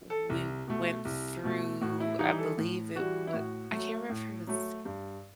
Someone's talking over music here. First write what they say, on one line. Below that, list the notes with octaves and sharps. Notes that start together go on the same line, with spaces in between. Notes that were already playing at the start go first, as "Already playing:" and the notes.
We went through, I believe it wa I can't remember if it's
A4
C2
B2 A3
C2
B2 A3
A2 F#4
E4
E3 G3 D#4
A4
A2
E3 G3 F#4
E4
A2 F#4
F#3 A3
A2
F#3 A3
G2